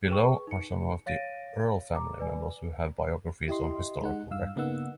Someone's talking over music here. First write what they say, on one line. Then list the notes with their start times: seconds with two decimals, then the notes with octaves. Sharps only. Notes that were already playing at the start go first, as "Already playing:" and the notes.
Below are some of the Earle family members who have biographies on historical record.
0.08 G#4 B4 G5 C#6
0.47 D#4 C#7
1.06 C#5 F5 A6 A#6 D7 D#7
1.95 A#5 D6
2.19 B4 D5 G#5
3.48 E4 G4 D#5 C6
4.02 G#3 D#4 F#5
4.31 G2 F5 E6
4.56 C#3 A#3 B3 D#4 F#5 E6